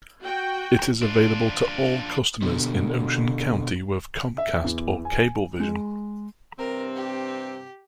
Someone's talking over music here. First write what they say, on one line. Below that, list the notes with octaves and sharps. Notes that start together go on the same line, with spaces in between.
It is available to all customers in Ocean County with Comcast or Cablevision.
F#4 G5
D4 F4
B2 D3
E5
E2
G#5
G#3
G2 C3 C4 A#4
G4